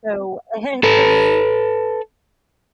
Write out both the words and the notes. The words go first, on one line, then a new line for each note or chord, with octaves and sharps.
So, every
A4 B4